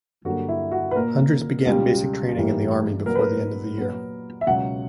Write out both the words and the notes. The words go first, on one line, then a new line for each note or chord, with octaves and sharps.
Hundreds began basic training in the Army before the end of the year.
G2 D3 F#3 A#3 F#4
E4
F#4
B4
A#2 A#3 A#4
C#2 B2 G3
G2 E3 G3 A#3
A#2 F#3 B3 A#4
B4
A#4
A#2 F#3 B3
E5
C#2 B2 F#3 F#5